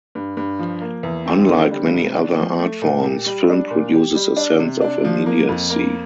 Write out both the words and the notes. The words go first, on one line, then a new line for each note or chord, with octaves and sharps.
Unlike many other art forms, film produces a sense of immediacy.
G2
G2
F3
A#3
E2
C4
D3
G3
C3
D4
F3
A3
A#2
G4
G3
D4
A#2
G4
G3
D4
C3
D4
F3
A#3
F2
A#3